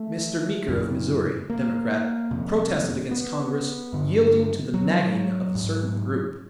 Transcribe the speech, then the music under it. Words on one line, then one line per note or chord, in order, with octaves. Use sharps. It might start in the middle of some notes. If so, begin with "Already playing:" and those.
Mr. Meeker of Missouri, Democrat, protested against Congress "yielding to the nagging of a certain group."
Already playing: A3
F#2 C#3
A#3
F2 C3
B3
G2 D3
F#3
G#2